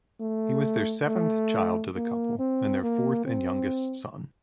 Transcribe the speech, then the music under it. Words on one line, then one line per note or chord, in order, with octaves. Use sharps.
He was their seventh child to the couple and their fourth and youngest son.
A3
A3
A#3
C4
A#3
C4